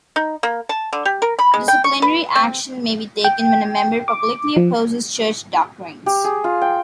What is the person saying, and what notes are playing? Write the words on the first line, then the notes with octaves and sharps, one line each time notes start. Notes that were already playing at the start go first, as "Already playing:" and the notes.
Disciplinary action may be taken when a member publicly opposes church doctrines.
D#4
A#3
A5
D3
G4
A#4
B5
G#3
G5
C#6
B4
C4
G5
D6
F3
G4
G#4
F4
G5